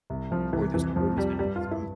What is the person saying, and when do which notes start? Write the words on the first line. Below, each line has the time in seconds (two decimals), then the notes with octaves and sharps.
or there's always gonna be some
0.10 C2
0.31 C2 F3
0.53 C2 E3
0.74 F2 E3
0.96 F2 F3
1.17 F2 G3
1.39 G2 G3
1.56 F4
1.61 G2
1.71 E4